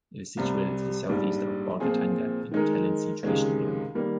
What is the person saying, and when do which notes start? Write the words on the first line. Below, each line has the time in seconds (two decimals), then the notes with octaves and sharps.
It is situated to the south-east of Bolgatanga, in the Tallensi Traditional Area.
0.37 C2 C3 G3
1.09 A#1 G#2 G3
1.80 A#2 F3 C4 F4 G#4
2.51 D#3 G#3 D#4 A#4
3.23 C#2 C3 D#3 G#3
3.95 D#3 G3 A#3